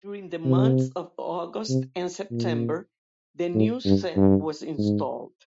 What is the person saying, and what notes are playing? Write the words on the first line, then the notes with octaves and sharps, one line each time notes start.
During the months of August and September, the new set was installed.
C3
C3
A#2
A2
G2
G2
G#2